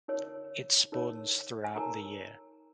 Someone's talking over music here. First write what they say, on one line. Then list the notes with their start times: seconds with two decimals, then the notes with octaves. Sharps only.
It spawns throughout the year.
0.08 D#4 A#4 C#5
0.92 D#4 A#4 C#5
1.64 G#5
1.76 D#4 A#4 C#5 A#5